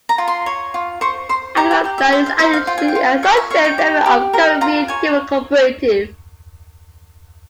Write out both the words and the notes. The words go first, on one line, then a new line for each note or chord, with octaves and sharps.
Animal Planet is additionally an associate member of the Caribbean Cable Cooperative.
A#5
F4
C6
C#5
F4
C5 C#6
C5 C6
G4 A#5
G5
G4 G5
E5
C5 E5
F5
C5 E5
F5
F4 G5
G#5
G5
F4
C#5 F5
E5
C#5 F5
G5
G4
G4
A#4 A#5
F4 A#5
C#5 G#5